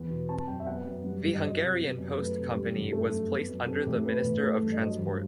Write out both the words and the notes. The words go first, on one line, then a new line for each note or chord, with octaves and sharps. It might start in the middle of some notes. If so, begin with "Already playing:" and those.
The Hungarian Post Company was placed under the Minister of Transport.
Already playing: E2 B3
B2
C4 A5
F#2 G5
E5
B3 F#5
F#2
G3
G2
D#5
F#3 C5
C3
B3
F#2
A3 B4
C3
G3
G2
A3 A4
F#2
B3
F#2
C4 A4
G4
A2 A4
B3 B4
A2
A3
G2
D#5
F#3 C5
G2